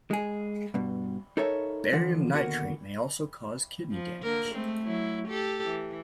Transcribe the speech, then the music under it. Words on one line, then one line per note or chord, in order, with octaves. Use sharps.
Barium nitrate may also cause kidney damage.
G#3 G#4
G2 B2
D#4 A4 A#4 C#5 E5
D3 E3 F3 F#5
D#2 B2 D3 F#4 A#4 F#5
F3
D3 A#3 A#4
G#3 A3 C4
F#3 E4
G4 A4
E3